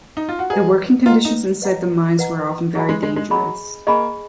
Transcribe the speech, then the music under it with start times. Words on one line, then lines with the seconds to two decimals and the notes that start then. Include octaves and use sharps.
The working conditions inside the mines were often very dangerous.
0.17 D#4
0.29 F4
0.39 F#4
0.50 G#4 B4 D#5 F#5 A#5
1.06 F4 B4 D#5 F#5 A#5
1.25 D#4
1.62 B4 D#5 F#5 A#5
2.19 B4 D#5 F#5 A#5
2.75 F#3 G#4 D#5 G#5 B5
2.89 G#3
3.03 G#3
3.16 G#3
3.30 F#3 G#4 D#5 G#5 B5
3.87 A#3 G#4 D#5 G#5 B5